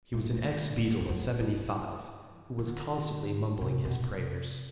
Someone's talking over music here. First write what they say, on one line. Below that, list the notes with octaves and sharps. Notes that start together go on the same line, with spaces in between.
He was an ex-beadle of seventy-five, who was constantly mumbling his prayers.
A3
A3
G3
E3
D3
E3
F#3
E3
E3
D3
C3
B2
C3